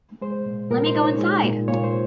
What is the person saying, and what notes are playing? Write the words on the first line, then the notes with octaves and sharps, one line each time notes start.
Lemme go inside!
G#3 C5
A#2
A#2 A#4
C5
D#4
C#5
G#3
A#2
A#2 C#5
C5